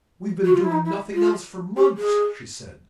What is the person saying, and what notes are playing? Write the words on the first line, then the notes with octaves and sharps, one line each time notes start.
We've been doing nothing else for months,' she said.
F#4
F4
E4
D#4
E4
F4
G4
G#4